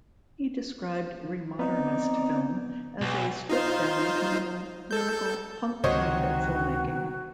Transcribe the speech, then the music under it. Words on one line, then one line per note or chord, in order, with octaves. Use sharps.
He described Remodernist film as a "stripped down, minimal, lyrical, punk kind of filmmaking".
B3 C4 D#4 D5
B1
D#4 F4 C5
A4 G6
C#2 C3 D#3 A#3 F#4 C5 C#5 D#5